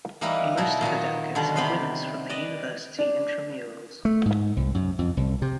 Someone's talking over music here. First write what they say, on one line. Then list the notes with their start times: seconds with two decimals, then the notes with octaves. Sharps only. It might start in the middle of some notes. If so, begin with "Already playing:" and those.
Most of the delegates are winners from the university intramurals.
0.21 E3 G3 A#3 D#4 E4 B4
0.57 B2 F#3 D#4 E4
0.81 A#2 D#3 F#3 D#4
1.35 B2 D3 D#3 G3
1.56 C3 B3 G4 B4 B5 C6
2.29 B4 D5 D#5
2.99 D4
4.05 A3
4.26 G#2
4.57 C2
4.75 F#2
4.99 F2
5.17 C2
5.42 C3